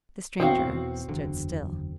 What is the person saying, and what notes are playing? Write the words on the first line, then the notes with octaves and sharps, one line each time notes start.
The stranger stood still.
E2 B2 C4 F#4 F5
F#1 E2 D3